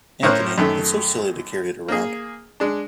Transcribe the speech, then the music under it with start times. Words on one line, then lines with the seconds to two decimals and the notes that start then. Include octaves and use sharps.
Anthony, it's so silly to carry it around.
0.23 A2 C#4 A#4 C5 C#5 F#6
0.58 F#2 D#3 A3
1.88 A#3 G#4
2.60 G#3 D4